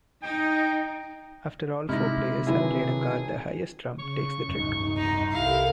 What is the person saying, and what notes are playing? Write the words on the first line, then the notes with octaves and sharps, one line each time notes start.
After all four players have played a card, the highest trump takes the trick.
D#4 G5
C3 G#3 D#4 E4 F6 A#6
D3 D#3 F#3 E4 G#4 B4
C#3 C#6
D1 G2 D#4
D#4 F#5 A#5 C6
C2 E4 G4 A4 A#4 F5